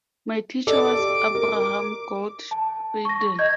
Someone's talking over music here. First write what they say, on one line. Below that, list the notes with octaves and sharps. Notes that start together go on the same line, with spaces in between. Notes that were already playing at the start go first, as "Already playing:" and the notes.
My teacher was Abraham Goldfaden.
A4 D5 D#5 D6
G4
A#4
A5
C#6 A#6
D#5 G6 G#6